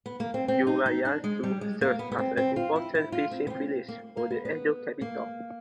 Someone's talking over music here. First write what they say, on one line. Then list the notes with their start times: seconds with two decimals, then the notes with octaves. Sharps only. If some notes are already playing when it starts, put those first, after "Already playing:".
Urayasu served as an important fishing village for the Edo capitol.
0.06 B3
0.20 A#3
0.34 C4
0.48 C4
0.67 D#4
0.86 D#4
1.05 D4
1.24 G#3
1.43 G3
1.61 G#3
1.81 A#3
1.99 B3
2.12 B3
2.19 C4
2.37 C4
2.56 F4
2.76 E4
2.95 E4
3.12 F4
3.31 C4
3.47 B3
3.50 C4
3.88 A#3
4.17 A#3
4.30 B3
4.45 B3
5.01 A#3